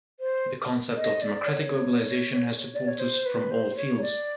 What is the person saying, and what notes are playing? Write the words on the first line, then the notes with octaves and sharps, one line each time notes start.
The concept of democratic globalization has supporters from all fields.
C5
D#5
D5
C#5
D5
C#5
C5
B4
C5
C#5
D5